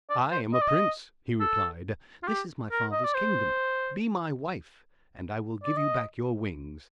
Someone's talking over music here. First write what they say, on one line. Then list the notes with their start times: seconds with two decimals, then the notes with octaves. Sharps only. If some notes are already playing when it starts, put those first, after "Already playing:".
"I am a prince," he replied; "this is my father's kingdom; be my wife, and I will give you back your wings."
0.10 D5
0.32 C5
0.54 D#5
0.61 D5
0.68 D#5
1.40 A4
2.23 F4
2.28 G4
2.72 A#4
2.92 D#5
3.04 D5
3.15 C5
5.64 D5
5.77 D#5